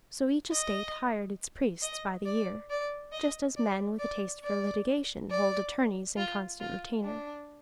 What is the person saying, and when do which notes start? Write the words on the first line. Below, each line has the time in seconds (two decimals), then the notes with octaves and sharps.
So each estate hired its priests by the year, just as men with a taste for litigation hold attorneys in constant retainer.
0.52 D#5
1.82 D#5
2.26 D5
2.70 D5
3.12 D#5
3.56 D5
3.99 D5
4.43 D5
5.30 D5
6.17 F4
6.60 F4
7.04 D4